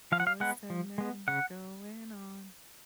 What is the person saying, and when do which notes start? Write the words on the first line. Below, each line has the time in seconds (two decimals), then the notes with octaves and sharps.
Boyz II Men going on
0.12 F3 F5
0.20 F#5
0.27 F5
0.40 G#3 B3 F#5
0.70 F3
0.98 G#3 B3
1.28 C#3 F#5